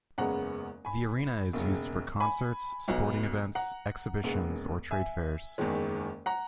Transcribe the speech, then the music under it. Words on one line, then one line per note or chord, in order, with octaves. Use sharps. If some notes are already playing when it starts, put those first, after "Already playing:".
The arena is used for concerts, sporting events, exhibitions or trade fairs.
F#1 E2 C#3 G#3 B3 F#5 A#5
G#5 B5
E1 D#2 C#3
G#5 B5
B1 B2 F#3 B3
F#5 A#5
E1 D#2 C#3 G#3 B3
E5 G#5
F#1 E2 D#3 G#3
F#5 A#5